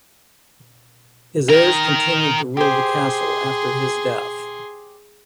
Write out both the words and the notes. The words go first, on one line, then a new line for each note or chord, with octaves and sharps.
His heirs continued to rule the castle after his death.
D#3 A#4
G4 G#4 C5 C6